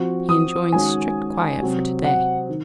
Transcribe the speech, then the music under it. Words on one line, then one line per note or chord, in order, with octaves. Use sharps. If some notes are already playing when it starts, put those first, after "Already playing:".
He enjoins strict quiet for to-day.
Already playing: F3 C4 F#4 C5
D#6
D#3 G#3 C#4 F#4 G#5
C3 F#3 C4
F#5
D#3